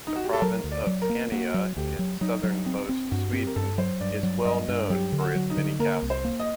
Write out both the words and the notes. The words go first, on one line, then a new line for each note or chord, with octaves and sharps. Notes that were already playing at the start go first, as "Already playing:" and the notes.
The province of Scania in southernmost Sweden is well known for its many castles.
D#4
F#4
G4
A4
F#3 A#4
D2
D5
F#3
A#4
A#3
A#3 F#4
F#3
D2 G4
F#3
F#3 D#4
F#3
C4
C4
G2 F#4
C4 G4
A#4
G2 A4
F#3 C5
G2 D5
F#3
G2 D#5
G2
F#3 G4
D3
F#4
F#3
D#4
D3
A#3 A#4
C2
C5
A#3
D#5